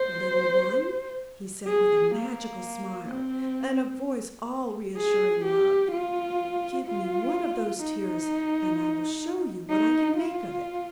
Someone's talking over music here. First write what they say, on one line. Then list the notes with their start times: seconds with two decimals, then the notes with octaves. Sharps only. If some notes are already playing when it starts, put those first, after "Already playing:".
"Little one," he said, with a magical smile, and a voice all reassuring love, "give me one of those tears, and I will show you what I can make of it."
Already playing: C5
1.67 G#4
2.15 A#3
3.09 C4
4.97 G#4
5.45 G4
5.92 F4
6.87 F4
7.81 D#4
9.69 D#4
10.17 F4